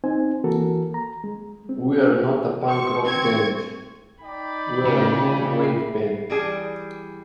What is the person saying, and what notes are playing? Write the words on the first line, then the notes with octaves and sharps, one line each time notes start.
We're not a punk rock band, we're a new wave band.
C4 D#4 C5 G#5
E3 A#3 F#4 A4 A#4
A#5
G#3
C4
C5 C#6
C4 C#6 G#6
D#4 D5 G5 B5
C#3
G#4 E5 C7
E3 G3 G#4